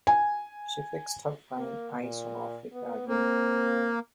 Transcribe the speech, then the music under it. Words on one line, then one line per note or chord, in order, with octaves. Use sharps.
She fixed her fine eyes on Africa again.
G#5
A#3
A#2
B3
A#3 C4